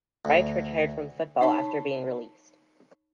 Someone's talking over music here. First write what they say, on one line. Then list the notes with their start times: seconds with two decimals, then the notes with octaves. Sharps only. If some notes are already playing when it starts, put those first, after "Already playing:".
Wright retired from football after being released.
0.25 D2
1.41 D#4 C#5 A5 B5